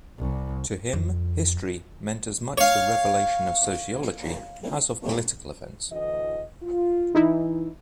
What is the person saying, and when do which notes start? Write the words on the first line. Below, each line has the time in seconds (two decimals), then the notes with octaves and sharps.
To him, history meant as much the revelation of sociology as of political events.
0.18 C2
0.93 F2
2.58 C#5 F5
5.91 D2 E3 D#5
6.61 F4
7.15 E3 D#4 E4